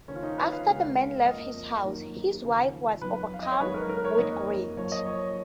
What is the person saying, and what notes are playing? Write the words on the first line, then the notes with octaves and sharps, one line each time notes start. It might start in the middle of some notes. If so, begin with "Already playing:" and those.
After the man left his house his wife was overcome with greed.
D#2 C#3 F3 C#4
F4
D#4
B4
F5
C#2 C#3 G#3 B3
F2 F3 A#3 D#5
F#2 D#3 F#3 A#3
D#2 C#3 F3
F2 D#3 F#3 B3 B4
F5
D#5
C#5
F#2 D#3 G#3 B3 B4
A#4
A#4
C#5
F2 D#3 A#3 D#5
F#2 F3 A#3 C#5
D#5
C#5